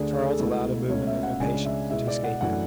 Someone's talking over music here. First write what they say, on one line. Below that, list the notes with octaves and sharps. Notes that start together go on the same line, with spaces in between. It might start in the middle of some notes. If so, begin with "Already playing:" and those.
Charles allowed a movement of impatience to escape him.
Already playing: D2 D3 A3 D4 G#4
A4
G#4
A4
C#2 B2 A3 E4
C#2 B2 A3 C#4 C#5
E5
F#5
C#2 C#3 G#3 D4 G#5
E5
B2 G#3 B3 E4 E5
D5
F#5
F#2 E3 A3 D4 F#5